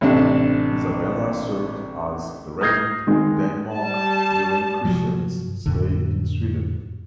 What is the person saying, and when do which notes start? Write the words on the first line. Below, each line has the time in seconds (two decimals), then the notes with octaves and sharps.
Isabella served as the regent of Denmark during Christian's stay in Sweden.
0.01 A1 C3 D4
2.61 D#6 F6 G6 G#6 A#6 C7
3.07 D#3 G#3
3.76 G3 A5
4.85 G2 C3 F3 F#3
5.66 F2 A2 D3